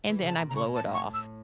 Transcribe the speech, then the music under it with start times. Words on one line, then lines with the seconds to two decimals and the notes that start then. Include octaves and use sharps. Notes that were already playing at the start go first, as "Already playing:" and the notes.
and then I blow it off.
0.09 E3
0.22 C#3 A5
0.37 A#2 A#5
0.49 C#3 A#5
0.56 C#6
0.66 A2
0.75 A5
0.80 A2
0.94 C#6
1.14 E6